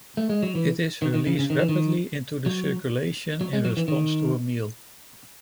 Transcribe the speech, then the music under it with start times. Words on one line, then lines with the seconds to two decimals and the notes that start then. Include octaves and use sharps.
It is released rapidly into the circulation in response to a meal.
0.17 A3
0.30 G#3
0.43 F#3
0.55 E3
1.02 D#3
1.14 D#3
1.26 C#3
1.39 C#3
1.50 D#3
1.59 E3
1.69 D#3
2.46 F#3
3.41 F#3
3.53 G#3
3.65 F#3
3.77 E3
3.88 D#3